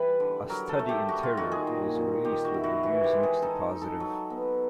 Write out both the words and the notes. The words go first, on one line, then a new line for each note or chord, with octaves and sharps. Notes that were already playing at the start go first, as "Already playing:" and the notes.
"A Study in Terror" was released with reviews mixed to positive.
Already playing: E3 G3 B4
D3
F#3 A#4
A4
A3
G4
G3 F#4
F4
D#3 F#4
G#4
A#2
A#2
D#3 G4
F#4
E4
F#4
E3 F#4
G4
G#3
G#4
D#4 A4
D#4
A4
F#3
B3